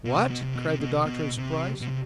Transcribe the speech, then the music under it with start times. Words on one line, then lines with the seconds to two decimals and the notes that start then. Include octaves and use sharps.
"What?" cried the doctor in surprise.
0.05 B2
0.17 C3
0.30 B2
0.42 C3
0.55 B2
0.68 C3
0.80 B2
0.93 C3
1.05 B2
1.37 C3
1.81 B2
1.88 C3